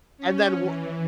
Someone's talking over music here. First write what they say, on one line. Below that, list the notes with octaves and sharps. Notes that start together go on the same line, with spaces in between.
and then w
C#4
E3